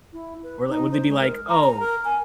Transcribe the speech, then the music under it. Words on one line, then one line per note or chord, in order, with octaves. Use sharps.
Or, li would they be like, "Oh,
E4
B4
D#4
C5
G#3
A#4
A#5
A#5
A#4
G#5